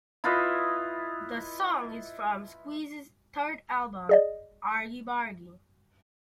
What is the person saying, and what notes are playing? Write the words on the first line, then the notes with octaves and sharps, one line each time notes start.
The song is from Squeeze's third album, "Argybargy".
E4 F4 B4 D#5
G#4 D5 D#5